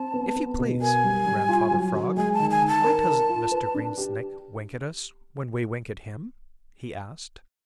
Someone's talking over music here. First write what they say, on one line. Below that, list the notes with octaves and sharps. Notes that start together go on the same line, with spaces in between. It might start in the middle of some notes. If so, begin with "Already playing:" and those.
"If you please, Grandfather Frog, why doesn't Mr. Greensnake wink at us when we wink at him?" he asked.
Already playing: C4 A5
B3
B3
B2
A#4 G#5
G3
G3
F4
F#3
F#3
G#3 G#5
A5
D#3
G#5
D#3
A5
A#4
A#4
F4
B4
D4
G4